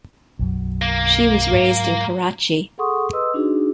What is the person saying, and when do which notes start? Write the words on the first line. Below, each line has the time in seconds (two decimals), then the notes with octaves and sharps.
She was raised in Karachi.
0.39 B1 F#2 F#3
0.82 A#3
1.53 G#2 F#3
2.78 G#4 A4 F#5 C6 C#6 D#6
3.13 B4 D#5 C6 D#6 E6
3.34 D4 D#4 F#4 G#4